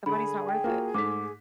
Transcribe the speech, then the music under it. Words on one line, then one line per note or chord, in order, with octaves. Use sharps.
the money's not worth it.
D3 G#4 B5
G5
A#3 F4 F#4
G#2 A3 D6 B6